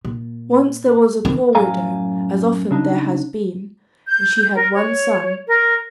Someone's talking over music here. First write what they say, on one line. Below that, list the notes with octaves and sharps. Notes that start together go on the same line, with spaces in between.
Once there was a poor widow, as often there has been, and she had one son.
A#2
D#3 C4
F#2 A2 F5 G#5 A#5
C#3 D4 D#4
G6
A#4
C#5
A#4